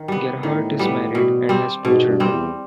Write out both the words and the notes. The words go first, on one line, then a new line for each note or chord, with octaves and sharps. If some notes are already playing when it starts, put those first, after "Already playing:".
Gerhardt is married and has two children.
Already playing: D#3
G3 B3
A2 D#3
G3 B3
B2
G3 C4
G#2 B2
G2
G3 C4
E2